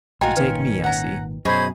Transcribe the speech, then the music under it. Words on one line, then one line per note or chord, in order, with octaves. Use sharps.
You take me, I see.
A#1 F4 F#4 A#4 D#5 G5 G#5 A#5
G#1 A#2 D#3 C#4 B4
F#5 A#5
F#2 B2 G#4 C5 C#5 D#5 B5 G#6